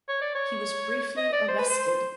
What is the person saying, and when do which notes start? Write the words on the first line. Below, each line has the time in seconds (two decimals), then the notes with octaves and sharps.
He was briefly arrested.
0.08 C#5
0.21 D5
0.35 C#5
1.17 D#5
1.33 D5
1.48 C5
1.58 B4
1.70 C5